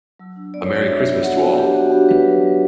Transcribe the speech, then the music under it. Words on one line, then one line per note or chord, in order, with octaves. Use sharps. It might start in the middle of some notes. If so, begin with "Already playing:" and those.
A Merry Christmas to all!
F#3
D4
B3 D5
C#5
F#4 D5
D4 E5
B3
F#4 F#5
B3
D4 G4
B3 F#4
D4 G4
B3 B4
F#3
F#3